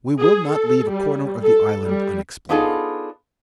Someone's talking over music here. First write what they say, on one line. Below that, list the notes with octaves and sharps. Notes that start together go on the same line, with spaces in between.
We will not leave a corner of the island unexplored.
G#4
A4
G3
A4
G3
B3 D4 D#4 F4 G#4 A4